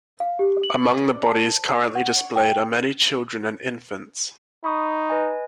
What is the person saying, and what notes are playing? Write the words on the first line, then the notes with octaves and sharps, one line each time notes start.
Among the bodies currently displayed are many children and infants.
F5
G4
F#7
A5
F#5
G5
D#4 B5 C#6 D#6
B4 D#5 G#5